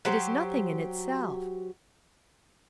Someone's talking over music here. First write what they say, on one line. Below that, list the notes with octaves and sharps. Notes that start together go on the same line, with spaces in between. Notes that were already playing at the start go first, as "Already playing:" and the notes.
It is nothing in itself.
F#3 G4 C5